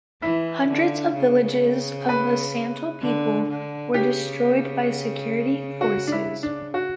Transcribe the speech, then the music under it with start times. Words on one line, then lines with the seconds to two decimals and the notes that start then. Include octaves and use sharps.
Hundreds of villages of the Santal People were destroyed by security forces.
0.22 E3 E4
0.69 D3
1.15 C#3
2.09 B4
3.01 D3
3.49 D3
3.94 C#3 G4
5.81 F#4
6.07 D4
6.12 E4
6.43 D4
6.74 F#4